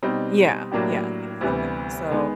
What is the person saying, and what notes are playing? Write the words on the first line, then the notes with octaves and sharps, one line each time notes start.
yeah, yeah, things like that, so,
B2 G3 C4 D#4
A2 F#3 A#3 D4 G4
D2 C3 E3 G3 B3
D#3 G#3 B3